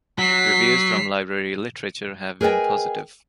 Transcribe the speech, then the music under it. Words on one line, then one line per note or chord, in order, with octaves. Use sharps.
Reviews from library literature have been positive.
F#3 B6 C7
G#4 A#4 B4 D#5 G5 G#5